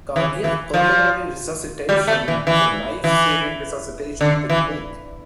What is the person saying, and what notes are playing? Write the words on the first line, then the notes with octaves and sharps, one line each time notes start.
Cardiac Pulmonary Resuscitation is a life-saving resuscitation technique.
E3
E3
F3
G3
A3
E3
E3
E3
D3
E3